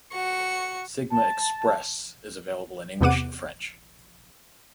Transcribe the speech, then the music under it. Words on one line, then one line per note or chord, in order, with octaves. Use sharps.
Sigma "express" is available in English and French.
F#4 C#6
A5
E2 C3 B3 F#5 D6 D#7